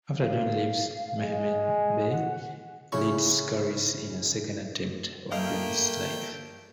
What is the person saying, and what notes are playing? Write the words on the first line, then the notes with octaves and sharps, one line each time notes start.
After John leaves, Mehemet Bey leads Kharis in a second attempt on John's life.
F5
G#3
G#5
F#5
C#3 E4 C#6
A3 A#3 D#5 F5 G5